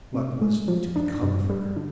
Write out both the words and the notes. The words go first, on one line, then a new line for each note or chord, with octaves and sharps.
What was to become of her?
C3
G#3
F3
D4
G2
G3
D3